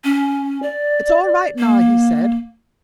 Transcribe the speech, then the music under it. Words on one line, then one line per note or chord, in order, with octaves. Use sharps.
"It's all right now," he said.
C#4
D5
A#3